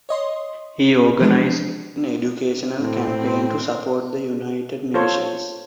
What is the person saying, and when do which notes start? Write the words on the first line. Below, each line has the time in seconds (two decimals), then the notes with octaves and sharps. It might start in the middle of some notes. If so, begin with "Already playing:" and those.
He organized an educational campaign to support the United Nations.
0.09 C#5 D#5 C6
1.20 E3 F3 G#3 C4 D4
2.80 A2 C4
4.94 F4 A4 C5 C#5